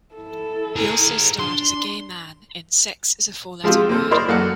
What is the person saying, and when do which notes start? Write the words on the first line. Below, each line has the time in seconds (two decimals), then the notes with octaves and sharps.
He also starred as a gay man in "Sex Is a Four Letter Word".
0.14 E4 A4
0.76 G#4 A#4
1.40 D4 C6
3.64 F3 G#3 C4 F4 G4
3.89 A#3 C4 A4
4.11 E4 A#4 C5 D5 D#5
4.28 F#2 A#3 F#4 A4 F#5 F#6